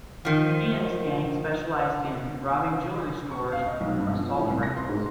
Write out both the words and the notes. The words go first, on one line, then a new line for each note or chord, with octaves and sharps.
He and his gang specialised in robbing jewellery stores with assault rifles.
D#3 F3
C#6
F5
D#5
B1
G2
F3
A2
C2
A#6
C6
G#2